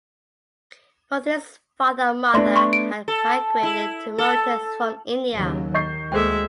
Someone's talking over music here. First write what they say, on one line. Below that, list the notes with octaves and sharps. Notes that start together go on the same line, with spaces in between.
Both his father and mother had migrated to Mauritius from India.
A3 B3 D4 D5 C6 A#6
C6 C#6
D7
A4
E4
A4
D#2 C#3 F#3
D#3 D#5 C#6 G6 C7
D2 G#3 A#3 A4 C5 E5 G5